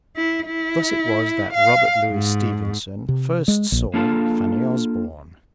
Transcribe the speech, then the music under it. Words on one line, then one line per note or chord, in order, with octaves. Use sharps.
Thus it was that Robert Louis Stevenson first saw Fanny Osbourne.
E4
E4
F5
G#2
C3
G#3
A#1
A#3 D4 F4 A4 A5